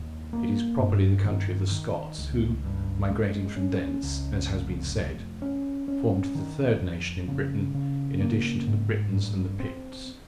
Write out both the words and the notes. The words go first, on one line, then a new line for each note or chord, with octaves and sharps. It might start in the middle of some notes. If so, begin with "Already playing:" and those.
It is properly the country of the Scots, who, migrating from thence, as has been said, formed the third nation in Britain in addition to the Britons and the Picts.
Already playing: D#2
A#3
G2
D#3
D#3
C#2
G2
G#3
C#4
C#2
F1
F1
C#4
C#4
D#3
F2
C#3
C#3
A#3
G#2
G2
C4